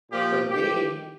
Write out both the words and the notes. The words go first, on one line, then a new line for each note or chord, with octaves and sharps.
but then,
A#2 F3 A#3 G4
G4